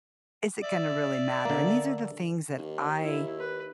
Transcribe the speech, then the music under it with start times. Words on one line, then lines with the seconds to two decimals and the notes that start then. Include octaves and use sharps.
is it gonna really matter? And these are the things that I
0.63 D5 E5
1.45 D3 A#3
2.58 D#2
3.02 E4
3.39 B4